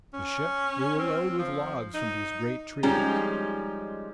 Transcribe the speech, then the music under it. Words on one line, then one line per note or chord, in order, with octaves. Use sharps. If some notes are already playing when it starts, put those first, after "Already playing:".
The ship we will load with logs from these great trees.
C#4
C4
F3
D#4
F3 G3 G#3 C#4 D#4